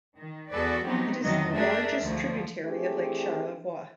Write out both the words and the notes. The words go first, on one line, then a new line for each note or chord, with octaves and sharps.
It is the largest tributary of Lake Charlevoix.
D#3
E2 F#4 G#4 A4 B4 D5
F3 F#3 B3 C4 D#4 G4
F2 D3 D#3 F#3 A3 D#5
A3 D4 G#4 A#4 E5
D2 F3 A3
E3 A3 C4 D4 G4 G#4